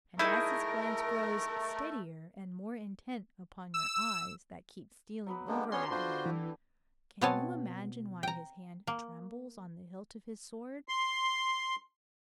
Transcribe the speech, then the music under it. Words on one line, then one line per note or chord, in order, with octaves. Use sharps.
And as his glance grows steadier and more intent upon your eyes that keep stealing over at him, can you imagine why his hand trembles on the hilt of his sword?
A3 D#4 E4 G#4 A#4 D#5
E6
F#3 B3 B4
D3 G#3 A#3 B3 G4 A4
B3 C#4 C#5 C6
D4 F4 F#4 C5
E3
B2 B3 C4 C#5 G#5 A5
G5 A#5
A#3
C6